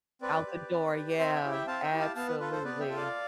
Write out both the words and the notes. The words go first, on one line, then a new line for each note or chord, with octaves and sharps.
Out the door. Yeah, absolutely.
C4 B4 D5
G4
C4
G4
C4 C5 E5
E5 G5
E4 G4
E5 G5
C4 F5 A5
E5 G5
E4 G4
F5 A5
B3 F5 A5
B4
F4 A4 B4
A4 C5
B3 B4 D5
E5 G5
F4 A4
D5 F5